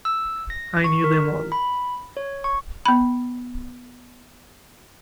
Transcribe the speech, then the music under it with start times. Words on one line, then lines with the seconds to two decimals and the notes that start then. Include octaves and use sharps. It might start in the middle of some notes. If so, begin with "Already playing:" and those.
I knew them all.
0.05 E6
0.50 A#6
0.84 C#6
1.04 A#4
1.52 B5
2.17 C#5
2.44 C#6
2.86 B3 B5